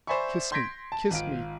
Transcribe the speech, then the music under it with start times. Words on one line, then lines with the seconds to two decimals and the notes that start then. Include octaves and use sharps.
Kiss me, kiss me!
0.07 C5 D5 E5 G#5 B5 C#6
0.52 C6 G6 G#6 A#6 B6 D7
0.92 A5
1.10 G#1 F4 D7